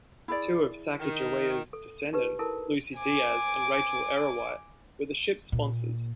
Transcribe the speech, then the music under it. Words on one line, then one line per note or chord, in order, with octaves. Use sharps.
Two of Sacagawea's descendants, Lucy Diaz and Rachel Ariwite, were the ship's sponsors.
E4 G#4 D5
D#3
A4
D#4 G4 B4
E4 A4 A#4 A5
G#5 D6
A#2